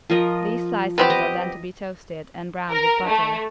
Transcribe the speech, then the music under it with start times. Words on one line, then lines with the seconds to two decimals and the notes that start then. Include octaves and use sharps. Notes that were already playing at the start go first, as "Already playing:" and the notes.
These slices are then to be toasted and browned with butter.
0.10 F3 A#4 D#5
0.98 B3 C4 G4 B5
1.10 D#5
2.71 A#4
3.07 A3